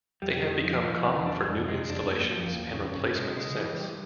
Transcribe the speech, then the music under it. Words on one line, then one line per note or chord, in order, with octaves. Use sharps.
They have become common for new installations and replacements since.
F2 G3
D#3
F3
F3
E2 C#3
F2
D4
F2
F2 G#2
G#3
F2 D4
F#2
A#2
F2
F3
F2
D#2
E2
F2 C#3
G2
C#3
G2
B2 G#3
C3
G#3
C#3
E3
G2